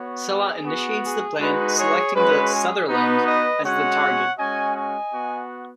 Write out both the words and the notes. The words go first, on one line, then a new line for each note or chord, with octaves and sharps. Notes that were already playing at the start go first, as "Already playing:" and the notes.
Sela initiates the plan, selecting the "Sutherland" as the target.
Already playing: B3 F#4 C#5
G#4
B3 F#4
G#4
G#3 D#4 F#4 B4
G#4 C#5
G#3 C#4 F#4 B4
G#4
B3 D#4 F#4 B4
B4 D#5
G#3 C#4 F#4 C#5 F#5
G#3 C#4 F#4 D#5 G#5
D#5 G#5
B3 F#4